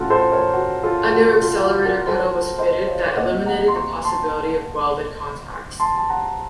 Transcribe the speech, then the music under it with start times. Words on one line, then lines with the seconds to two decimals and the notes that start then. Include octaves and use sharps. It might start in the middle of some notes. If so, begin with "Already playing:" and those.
A new accelerator pedal was fitted that eliminated the possibility of welded contacts.
Already playing: A2 A3 C#4 F4 F#4 A4
0.10 A4 C5
0.32 A#4 C#5
0.53 F#4
0.83 F4 A4
1.13 F#4
1.42 F4
1.63 F#4
1.85 F#4 A#4
2.07 A4 C5
2.58 C5 D#5
2.87 C#5 F5
3.16 A#2 A3 C4 D#5 F#5
3.46 F#5 A#5
3.68 C6
3.75 A#5 C#6
4.04 A5 C6
5.80 A5 C6
5.97 A5
6.09 F#5 A#5